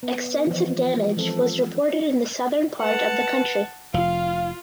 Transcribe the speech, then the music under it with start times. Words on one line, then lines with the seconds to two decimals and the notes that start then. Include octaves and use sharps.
Extensive damage was reported in the southern part of the country.
0.03 B3
0.47 E3 F3
1.17 E3 F3 G#3 C4 A4
2.82 B4 F#5 A5
3.94 F1 F3 F4 F5